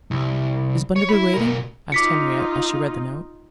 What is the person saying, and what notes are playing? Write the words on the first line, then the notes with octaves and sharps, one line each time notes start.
"Is Bunderby waiting?" asked Henriette as she read the note.
C2
C#5
E4 B5
B2 A#4
D#4 F4 D6 B6 C#7